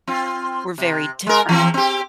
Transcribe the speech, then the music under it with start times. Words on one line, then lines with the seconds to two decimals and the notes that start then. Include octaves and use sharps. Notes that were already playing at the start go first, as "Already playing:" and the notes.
we're very different.
0.07 C4 F4
0.78 C3
1.27 G#3 A#4
1.49 E3 F3 C4
1.74 C4 G4